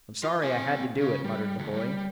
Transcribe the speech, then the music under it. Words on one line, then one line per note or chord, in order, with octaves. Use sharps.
"I'm sorry I had to do it," muttered the boy.
F4
C4 G#5
C#3 C#4
G3
D2 G2
G3